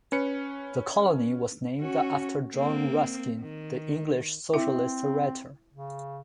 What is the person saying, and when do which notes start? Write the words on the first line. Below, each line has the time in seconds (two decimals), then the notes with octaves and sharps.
The colony was named after John Ruskin, the English socialist writer.
0.12 C#4 B4 C#7
1.81 C#4 F#4
2.53 A#3 C4
3.41 D#3
4.54 C4 E4 E5
5.74 C#3